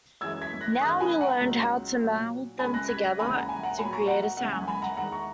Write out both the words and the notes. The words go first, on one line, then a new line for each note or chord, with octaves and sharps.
Now we learned how to meld them together to create a sound.
F#2 E3 G#3 E6 G#6
G#6 B6
F#6 A#6
F#2 D#3 G#3 D#6 F#6
G#5 B5
F#5 A#5
C#2 B2 F#3
A#2 F#3
C#2 C#3 G#3 G#5 B5
F#6 A#6
G#6 B6
F#6 A#6
D#2 C#3 E3 G#3 G#5 B5
F#5 A#5
G#5
F#5 A#5
A#2 F#3 G#5 B5
A#5 C#6
F#5 A#5
F#5
D#2 C#3 E3 G#3 F#5
G#5
G#5 B5
F#5 A#5
E2 D#3 G#3 F#5 A#5
A#5 C#6